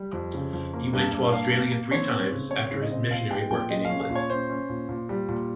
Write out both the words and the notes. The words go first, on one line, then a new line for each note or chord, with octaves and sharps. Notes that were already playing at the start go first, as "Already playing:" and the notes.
He went to Australia three times after his missionary work in England.
Already playing: G3
F2
C#3
F2
A#3
G2
G2
A#3 F5
A#3
A#3
C4 C#5
C4
C#3
C4 C#5
C#3
D#5
C4
A#2 F5
G#3 G5
A#2 G5
G#3 D#5
C#4 F5
F5
A#2
C#5
C#4 C5
C#4
A#2
A#2
G3
A#2